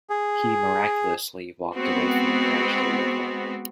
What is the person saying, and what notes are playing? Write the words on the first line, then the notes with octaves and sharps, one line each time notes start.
He miraculously walked away from the crashed vehicle.
G#4
G#3 B3 C4 F#4